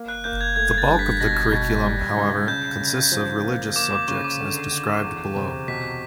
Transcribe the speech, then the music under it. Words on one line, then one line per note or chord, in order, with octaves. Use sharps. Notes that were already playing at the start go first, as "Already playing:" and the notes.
The bulk of the curriculum, however, consists of religious subjects as described below.
Already playing: A#3
F#6
A#3 G6
G#6
A3 G#6
A6
G2
B6
B2 A#6
B2
G3
C#2
C#3 G6
C#3
F3
A#3
A#3 D6
D6
C#3 C#6
D6
D3
D3
E2
C3
B2 B6